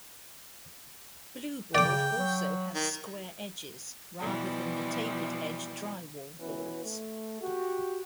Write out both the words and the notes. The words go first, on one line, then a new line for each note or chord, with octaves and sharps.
Blueboard also has square edges rather than the tapered-edge drywall boards.
C#3 D5 G5 D6
F#3
D#3
B2 E3 F3 G3
B2 E3 B3 C#4
A3
F#4 G4